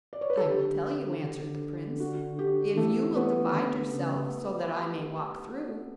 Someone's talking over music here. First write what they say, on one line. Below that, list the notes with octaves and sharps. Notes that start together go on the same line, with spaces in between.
'I will tell you,' answered the prince, 'if you will divide yourself so that I may walk through.'
D5
C#5
B4
A4
D3 G4
D3
F#4
G4
E3 A3 A4
B3 B4
D3
C#3